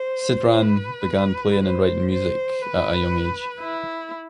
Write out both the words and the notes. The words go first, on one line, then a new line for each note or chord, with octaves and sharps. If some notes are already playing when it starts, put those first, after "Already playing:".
Sidran began playing and writing music at a young age.
Already playing: C5
B4
C5
C5
B4
E4